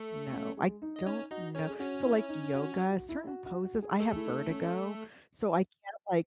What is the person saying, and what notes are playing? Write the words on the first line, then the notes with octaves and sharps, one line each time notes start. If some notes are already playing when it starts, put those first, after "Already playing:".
No, I don't know so, like, yoga, certain poses I have vertigo, so I can't, like,
Already playing: A3 A4
C#4
G#3
D#4
D#5
C#4 D#4 C#5
D#4 F#4 D#5
C#4 A4 C#5
G#4
C#4 F#4 C#5
E4
D#4
F#4
F#4
F#4
E4
F#4
F#4
F#4
G#4
A3 G#4 A4
E4
D#4
C#4